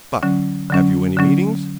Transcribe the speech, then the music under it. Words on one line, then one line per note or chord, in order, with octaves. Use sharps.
But, have you any meetings?
D3 F#3 C#4
D3 F#3 C#4
D3 F#3 C#4